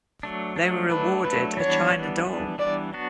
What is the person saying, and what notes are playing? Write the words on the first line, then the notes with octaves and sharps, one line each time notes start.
They were awarded a china doll.
F#3 A3 D4
F#3 A3 D4
F#3 A3 D4 B4
F#3 A3 D4 B4
E3 G3 B3 D4 C#5
E3 G3 B3 D4
E3 G3 B3 D4
E3 G3 B3 D4 D5
F#3 B3 D4 F#4